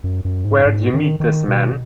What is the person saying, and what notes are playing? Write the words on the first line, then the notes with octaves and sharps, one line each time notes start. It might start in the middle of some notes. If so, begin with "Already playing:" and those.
Where'd you meet this man?
F#2
F#2
G#2
G#2
D#3
D#3
B2